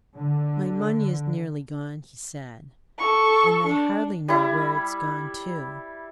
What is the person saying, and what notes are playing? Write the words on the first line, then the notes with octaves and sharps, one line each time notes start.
"My money is nearly gone," he said, "and I hardly know where it's gone to."
D3
A4 C#6
D4
G3 E4